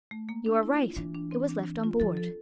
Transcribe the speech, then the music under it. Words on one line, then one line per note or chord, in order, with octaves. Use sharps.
"You are right; it was left on board."
A3
A#3
D4
E4
F4
E3 D4
D4
C4
D4
F4
F3 A4
A4